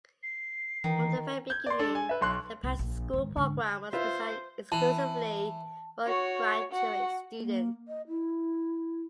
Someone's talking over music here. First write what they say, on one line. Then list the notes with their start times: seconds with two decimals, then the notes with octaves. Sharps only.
From the very beginning, the Patterson School program was designed exclusively for graduate students.
0.23 C7
0.84 D#3 E3
1.50 G6 G#6
1.66 D5 C6
1.79 D4 A4
1.95 G#5
2.09 B4 E5
2.21 B1 C6 F#6
2.63 C2
2.79 A#1
3.13 G#2 D#3
3.36 G#2 D3
3.93 F4 B4 C5 E5
4.72 E3 A5
6.06 F#4 C#5
6.72 F#4 F#5
7.38 A#3
7.88 D#5
8.08 E4